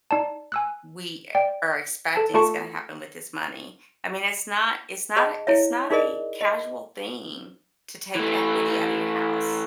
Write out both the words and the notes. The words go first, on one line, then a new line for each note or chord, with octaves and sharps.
we are expecting is gonna happen with this money?" I mean, it's not it's not a it's not a casual thing to take equity out of your house.
D#4 D5 A5
G#5 E6 F#6
D5 G5
A4 A5 A6
A3 F4 A4 A5 C#6 C#7
G#4 D#5 A5
E4 C#5 E5
D#4 G#4 A#4 D5 D#5
D#5
E3 A3